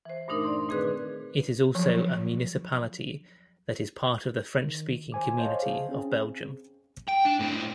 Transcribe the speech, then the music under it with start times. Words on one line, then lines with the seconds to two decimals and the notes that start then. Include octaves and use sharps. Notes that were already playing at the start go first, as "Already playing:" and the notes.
It is also a municipality that is part of the French-speaking Community of Belgium.
0.05 E3 C5
0.28 G2 A#2 A3 D4 D#4 A#4
0.44 D5 C6
0.69 A#2 D#3 C4 G#4 B4 F#6
1.75 F3 F#3
4.61 D#3
5.12 C5 G#5 D6
5.38 C5 C#5 D#5 F5 A5
5.60 G#4 F5
5.89 C4 C#4 G#4
7.08 G5
7.25 D4
7.39 A2 C4